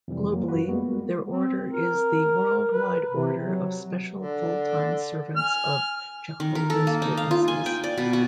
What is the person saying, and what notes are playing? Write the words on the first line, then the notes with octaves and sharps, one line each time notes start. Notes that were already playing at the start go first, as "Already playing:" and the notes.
Globally, their order is the "Worldwide Order of Special Full-Time Servants of Jehovah's Witnesses".
F2 C3 E3 G3
F#3 A#3
F#2 F4 F#4 B4
G3 G#3 A#3 B3 F#4
C4
A#4
B4
C3
F#3
D3
G#5 F6
D#3
A#4
A4
A#3
D#4
F5
F4
G#5
G5
D5
B2
F#4